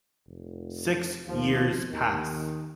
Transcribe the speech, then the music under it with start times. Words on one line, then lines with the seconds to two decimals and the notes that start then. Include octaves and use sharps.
Six years pass.
0.27 F1
1.27 D#2 F3
1.90 D#2 D#3